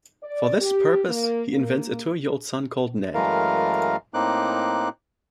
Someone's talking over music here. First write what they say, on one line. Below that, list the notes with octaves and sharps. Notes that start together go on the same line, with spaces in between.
For this purpose, he invents a two-year-old son called Ned.
D5
G4
A#3
A#3
F#2 E3 G#3 A3 A#4 F5
A2 A#3 C4 D#4 D6 F#6